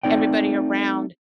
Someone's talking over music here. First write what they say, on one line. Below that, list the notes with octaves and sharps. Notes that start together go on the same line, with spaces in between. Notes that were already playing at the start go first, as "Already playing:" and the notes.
everybody around,
A3 C4 D#4 D5 G5